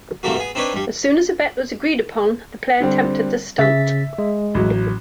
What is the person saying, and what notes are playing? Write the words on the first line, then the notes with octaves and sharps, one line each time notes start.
As soon as a bet was agreed upon, the player attempted the stunt.
G2 C3 E3 A3 A#3 F#4
B3 G#4
C4 D4 D#4 B4 C#5 D5
G2 G3
D3 G3 C4
C#3 E5 A6 B6
G#3
A1 F#3